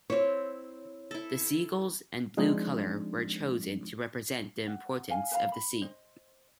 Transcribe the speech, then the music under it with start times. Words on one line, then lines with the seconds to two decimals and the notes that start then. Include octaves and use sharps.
The seagulls and blue color were chosen to represent the importance of the sea.
0.10 C4 E4 C#5
1.11 E4 A4
2.37 F3 G#3 C4 D4 D#4
4.68 F#5
5.10 F5 G#5
5.31 B4 F5 A#5
5.52 B5
5.82 C5 D#5